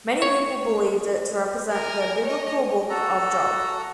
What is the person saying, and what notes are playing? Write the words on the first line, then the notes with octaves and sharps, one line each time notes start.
Many people believed it to represent the biblical Book of Job.
C#5
A#4 G#5
C#5 D#5
F#4 A4 A#5